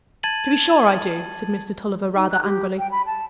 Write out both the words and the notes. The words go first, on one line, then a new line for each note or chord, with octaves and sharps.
"To be sure I do," said Mr. Tulliver, rather angrily.
A5 G#6 A6 D#7 F#7
D#4
F#6
G4
G5
B5
A5